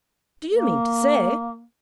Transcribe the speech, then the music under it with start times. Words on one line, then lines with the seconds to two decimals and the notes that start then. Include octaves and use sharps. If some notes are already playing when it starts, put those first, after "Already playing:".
Do you mean to say--?'
0.54 A#3